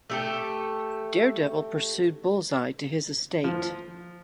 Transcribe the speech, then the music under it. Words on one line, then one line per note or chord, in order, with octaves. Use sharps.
Daredevil pursued Bullseye to his estate.
A3 G4 A4
F3